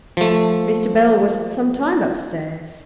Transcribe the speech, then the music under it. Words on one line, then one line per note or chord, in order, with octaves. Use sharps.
Mr. Bell was some time up-stairs.
F3 A3